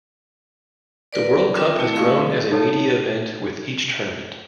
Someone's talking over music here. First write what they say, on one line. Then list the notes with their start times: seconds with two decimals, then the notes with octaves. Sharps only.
The World Cup has grown as a media event with each tournament.
1.13 A#4 B4 D5
1.55 C4 F4 A#4 G5 D6
1.79 A3 E4
1.93 A3 C4 G#4 F5 C#6
2.52 D#4 A4 C#5 A5